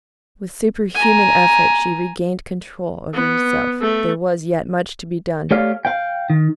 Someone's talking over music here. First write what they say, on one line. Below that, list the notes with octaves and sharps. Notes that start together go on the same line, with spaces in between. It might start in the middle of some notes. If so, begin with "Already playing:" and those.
With superhuman effort she regained control over herself--there was yet much to be done.
G#5 A#5
B3
A3
A3 G4 C#5 D5 F5
F5 G5
D#3